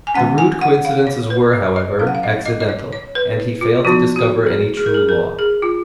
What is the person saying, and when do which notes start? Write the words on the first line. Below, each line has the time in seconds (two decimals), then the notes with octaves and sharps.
The rude coincidences were, however, accidental, and he failed to discover any true law.
0.07 G#5
0.14 D#3 G#3 C#4 F#5
0.38 G#5
0.61 F#5
0.85 F5
1.07 C#5
1.30 B4
1.53 D#5
1.76 D#5
1.99 F#3 C#4 F5
2.07 F#5
2.15 F5
2.23 D#5
2.45 D#5
2.60 D#5
2.69 C#5
2.92 C#5
3.15 B4
3.61 F4
3.85 F3 B3 D#4 F#4
4.16 F#4
4.46 G#4
4.77 G#4
4.86 A#4
4.94 G#4
5.09 A#4
5.39 G#4
5.62 F4